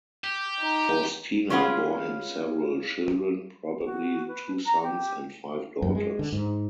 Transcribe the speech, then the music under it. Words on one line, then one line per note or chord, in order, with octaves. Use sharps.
Faustina bore him several children, probably two sons and five daughters.
G4
D#4
G#3 C#4 F4 G#4 B4 F#5
F#4
B4
A#5
G4
F#2
G#3
D3
G#2